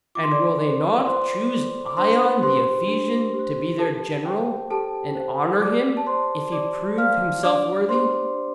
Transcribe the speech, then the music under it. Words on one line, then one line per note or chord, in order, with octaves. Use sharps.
And will they not choose Ion the Ephesian to be their general, and honour him, if he prove himself worthy?
F4 D6
C6
D5 D6
A4 C5
F4 C5 C6
A4 C5
D6
D4 C5 C6
G4 C5 C6
D4
G4
C5
G4 A4 A5
C5 G5
G4 A4 A5
C5
G4 D5 D6
A5
C5 D5 C6
G4 D5 D6
D5 F5 F6
D4 D5 D6
G4 C5 C6
D4